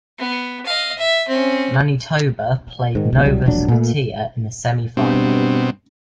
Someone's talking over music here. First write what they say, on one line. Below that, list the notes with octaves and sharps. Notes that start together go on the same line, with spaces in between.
Manitoba played Nova Scotia in the semifinal.
B3
D#5 F5
E5
C4 C#4
G#2 D#3
D1 B1
C2 F#3 G3
E1 A#1 F#3 D4
A#2 A3
G2 B2 C4